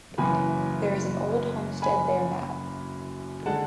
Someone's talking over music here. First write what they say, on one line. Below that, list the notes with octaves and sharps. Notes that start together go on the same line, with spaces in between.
There is an old homestead there now.
F#1 F#2 E3 G#5 B5
G#5 B5
D3 G#3 F#5 A5